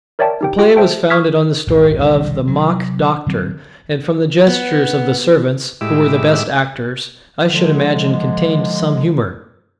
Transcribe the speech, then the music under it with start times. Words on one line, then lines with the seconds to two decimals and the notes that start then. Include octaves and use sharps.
The play was founded on the story of the "Mock Doctor;" and, from the gestures of the servants, who were the best actors, I should imagine contained some humour.
0.19 A#4 C#5 D5 E5 G5 A5
0.41 D#4 G4 G5
0.59 F4 G4 G5
0.76 C5 E5 G5 A5
1.10 C#6 D#6 F6 G#6 B6
1.67 D#1 G#1 D2
1.99 F#1 C2 A#2 D#3
2.47 C3 F#3
3.26 D3 F#3 C4
4.47 B3
5.81 A2 G#3 E4 G4 D6 E6
7.51 D3 F3 G#3